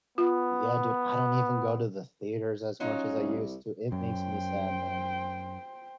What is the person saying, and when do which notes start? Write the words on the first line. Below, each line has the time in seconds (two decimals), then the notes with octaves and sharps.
Yeah, dude. I don't even go to the theaters as much as I used to, it makes me sad, man.
0.18 B3 F4
2.80 F#3 C#4 D#4 F4
3.17 C2
3.92 F#2 C5 G5